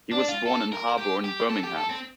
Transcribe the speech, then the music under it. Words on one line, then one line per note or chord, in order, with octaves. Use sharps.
He was born in Harborne, Birmingham.
D4
F4
A4
A#4
G4
G4
A4
G4
A4
C4